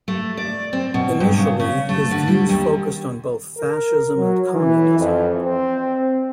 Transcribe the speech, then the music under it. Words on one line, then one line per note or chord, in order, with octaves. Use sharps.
Initially, his views focused on both fascism and communism.
A3
D5
C4
B2
G2
C#3
C#3
A3
D3
G3
D#2
A#4
F#3
E3
F2
C4